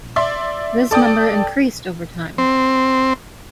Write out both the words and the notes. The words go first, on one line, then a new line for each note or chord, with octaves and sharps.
This number increased over time.
D5 E5 C6
A4 D5 G5 D#6
C4